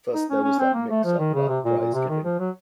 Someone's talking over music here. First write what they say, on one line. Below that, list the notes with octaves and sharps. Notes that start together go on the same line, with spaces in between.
First there was that mix-up about the prize-giving.
D#4
C#4
C#4
C4
A#3
A3
F3
D#3
C#3
C3
A#2
A#2
C3
D#3
F3
F#3